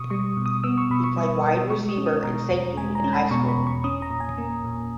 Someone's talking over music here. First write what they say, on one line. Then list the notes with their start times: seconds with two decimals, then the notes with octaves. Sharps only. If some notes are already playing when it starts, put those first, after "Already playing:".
He played wide receiver and safety in high school.
Already playing: B2 B3 C#6 D#6
0.10 G3 C#6
0.37 B2
0.46 D#6
0.64 B3 E6
0.78 C#6
0.91 B2 B5
1.04 C#6
1.17 G3 D#6
1.44 B2
1.70 G#3 C#6
1.89 D#6
1.98 C#4
2.06 D#6
2.24 B2 A#5
2.51 E2
2.77 G#3 G#5
2.95 A#5
3.04 C#4
3.13 B5
3.31 B2 C#6
3.49 B5
3.57 E2
3.67 C#6
3.84 C#4 D#6
4.02 A#5
4.10 A#2
4.20 G#5
4.38 A#3
4.65 A#2